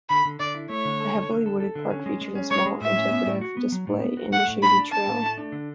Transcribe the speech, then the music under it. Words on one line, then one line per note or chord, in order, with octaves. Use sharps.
The heavily wooded park features a small interpretive display and a shady trail.
D3 B5
D3
D3 D5
E4
A3 C#5
D3
A4
D3
D3
A4
A4
D3
C#4
G#3
G#3
C#4
G#3 C#5
G#3
A2 E5
C#4
B3
A2
F#4
B3
F#3
A2
B3
F#4
A3 F#5
A2
D4 B5
D4
D4 A5
A2
A3
D4
D3